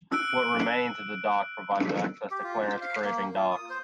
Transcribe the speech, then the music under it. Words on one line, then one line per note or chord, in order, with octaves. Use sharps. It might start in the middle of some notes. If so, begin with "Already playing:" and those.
What remains of the dock provides access to Clarence Graving Docks.
E6 F#6 D7
G4
F4
C5
F5
A#3
F4
D#6
C5